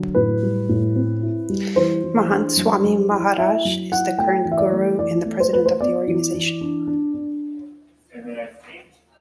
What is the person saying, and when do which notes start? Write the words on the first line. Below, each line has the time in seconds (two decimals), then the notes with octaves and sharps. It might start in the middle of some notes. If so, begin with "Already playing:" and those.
Mahant Swami Maharaj is the current Guru and the president of the organization.
Already playing: D3 F#3
0.15 A2 B4
0.43 G3
0.69 A2
0.96 C4
1.23 E4
1.50 G3
1.76 E3 C5
2.04 E3
2.30 D4
2.57 F#3
2.84 F#3
3.11 E4
3.37 E4 E5
3.65 F#3
3.92 E4 F#5
4.19 A3 G5
4.45 E3
4.52 E5
4.58 D5
4.72 A3
4.99 E3 D5
5.26 A3
5.40 C5
5.53 A3 B4
5.66 C5
5.80 B3 D5
6.07 E3
6.34 E3
6.61 D4
6.87 D4
7.14 D4